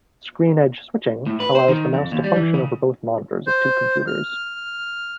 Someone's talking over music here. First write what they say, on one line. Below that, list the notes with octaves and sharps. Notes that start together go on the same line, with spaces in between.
Screen-edge switching allows the mouse to function over both monitors of two computers.
A2
B4
C5
D#3
F2
D#2
G3
E3
C#3
C5
F6